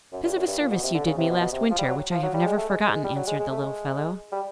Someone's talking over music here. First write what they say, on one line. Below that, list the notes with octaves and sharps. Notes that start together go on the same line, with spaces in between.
'Because of a service you did me last winter, which I have never forgotten,' answered the little fellow.
F#2
G2
F#2
G2
A#2
B2
C3
D3
C#3
C3
B2
B2
C3
F3
G3
F#3
F3
F#3
G3
G#3
A3
G#3
G#3
G#3
G3
F#3
G#3
G#3
A3
G#3
G3